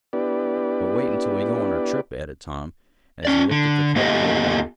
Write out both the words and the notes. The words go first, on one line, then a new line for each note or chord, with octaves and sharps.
"But wait until we go on our trip," added Tom, as he looked at the cup they had won.
B3 D4 E4 G4 B4 D5
C#4 D5
D3
A#3 B3 F4 G4 A4 D#5